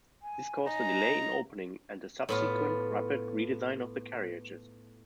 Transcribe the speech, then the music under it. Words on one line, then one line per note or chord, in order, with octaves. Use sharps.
This caused a delay in opening, and a subsequent rapid redesign of the carriages.
G#5
D#4 A#5
A2 B3 F4